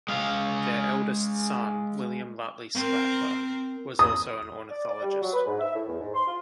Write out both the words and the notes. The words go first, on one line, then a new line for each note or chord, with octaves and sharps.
Their eldest son, William Lutley Sclater, was also an ornithologist.
G#3 F5
C4 A#4
D#6
D5
D5
G3
F#3
B4
G#2
E5
A2
E2
G#2
C6
F4